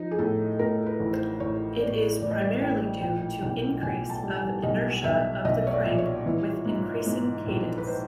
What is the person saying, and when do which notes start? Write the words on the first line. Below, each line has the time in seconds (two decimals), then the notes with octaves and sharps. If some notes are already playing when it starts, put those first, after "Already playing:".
It is primarily due to increase of inertia of the crank with increasing cadence.
Already playing: F3 D#4
0.11 G#4
0.19 A2 A4
0.59 A2 A#4
0.86 B4
1.00 A1
1.13 C5
1.40 A1 C#5
1.80 A2 D5
2.21 A1 D5
2.31 D#5
2.42 D5
2.61 A1 G5
3.02 A#2 G5
3.42 B1 G5
3.82 B1 G#5
4.10 A5
4.23 G3
4.37 G#5
4.63 B1 D#5
5.04 B1 E5
5.45 B1 D#5
5.67 C#5
5.71 D5
5.85 A#2
5.98 C#5
6.26 E3
6.66 G#2
7.06 G#2
7.47 A#1
7.78 B4
7.87 C5